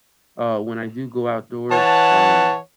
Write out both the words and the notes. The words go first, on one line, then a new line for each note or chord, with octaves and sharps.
uh, when I do go outdoors, um,
E3 C#5 F#5 A5